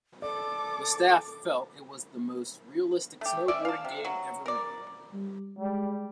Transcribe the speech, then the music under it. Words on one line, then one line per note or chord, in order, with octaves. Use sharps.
The staff felt it was the most realistic snowboarding game ever made.
A4 D5 D6
A3 G4
C#4 D5 E5
F5 A5
C3
F#3
A#4 D5
G3
G3 G#3